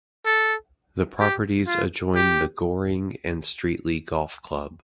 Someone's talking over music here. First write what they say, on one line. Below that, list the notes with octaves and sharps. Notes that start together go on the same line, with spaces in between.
The properties adjoin the Goring and Streatley Golf Club.
A4
G4
F4
G4